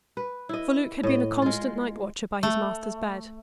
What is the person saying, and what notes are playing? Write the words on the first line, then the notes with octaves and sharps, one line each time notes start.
For Luke had been a constant night-watcher by his master's bed.
B4
E4 D#5
A2 D#5
G#3 F4
A3